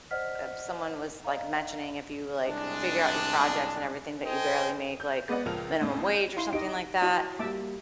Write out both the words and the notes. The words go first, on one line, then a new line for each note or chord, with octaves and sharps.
if someone was like mentioning if you like figure out your projects and everything that you barely make, like, minimum wage or something like that,
C5 D5 D#5 F#5 F6 B6
D5 D#5 F5 A#5
C2 G#3 D4
A4 C5 D#5 G5 G#5
G6
G#3 B3 B4 D5 D#5 F#5
C#2 F3 A#4 F7
A1 F2 A2
G6
E4 F5 C6
D#4 G4 D#5 D7
E4 F#4 D5
G3 A#3 E5 A5 D6